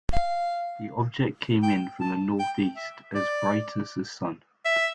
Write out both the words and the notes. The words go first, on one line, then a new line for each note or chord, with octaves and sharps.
The object came in from the northeast, as bright as the Sun.
F5
G5
A5
G5
E5
D5
E5